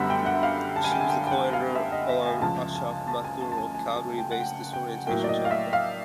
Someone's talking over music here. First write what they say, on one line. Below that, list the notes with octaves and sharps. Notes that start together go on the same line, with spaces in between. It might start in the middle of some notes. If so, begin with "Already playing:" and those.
She was the co-editor, along with Ashok Mathur, of Calgary-based DisOrientation Chapbooks.
Already playing: F#2 D3 G3 B3 E5 F#5
G5
F#5
F5
A5
G#5
G5
G#5
G5
G5
F#5
F5
E5
D#5
E5
G#5
C#2 C#3 F3 A5
G#5
A5
G#5
A5
A5
G#5
G#5
G#5
G5
F#5
G5
G5
A2 F#3 A#3 G5
D5
D#5
F5
E5
F5